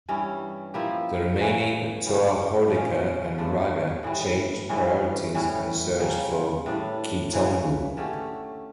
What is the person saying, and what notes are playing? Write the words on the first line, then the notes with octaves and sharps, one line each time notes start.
The remaining Toa Hordika and Rahaga changed priorities and searched for Keetongu.
G2 E3 G3 C#4
F3 A#3 E4 G4
G2 E3 A#3 C#4
C#3 G3 A#3
A#2 F3 C#4
G2 F3 A3 D4
A2 E3 G3
G2 E3 G3 C#4
A2 E3 G3 C#4
C#3 G3 A#3
A2 G3 D4
C#3 E3 A#3
D3 A3 C#4 G4